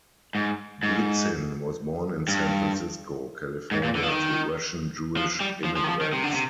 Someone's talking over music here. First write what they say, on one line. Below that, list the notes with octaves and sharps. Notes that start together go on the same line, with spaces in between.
Bootzin was born in San Francisco, California to Russian Jewish immigrants.
G#2
G#2
G2
G#2
A#2
D3
F3
D#3
F3
G3
F3
F3
D#3
F3
D#3
C3
D3
C3